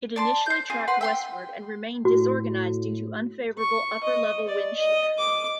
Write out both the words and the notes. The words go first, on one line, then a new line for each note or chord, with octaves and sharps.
It initially tracked westward and remained disorganized due to unfavourable upper-level wind shear.
D5 A5 C6
C5 G6
C4 F4 G#4
B4 F#5 C6
E5 G5 C6
A2 F#4
C#6
D#5
D5
D#5
D6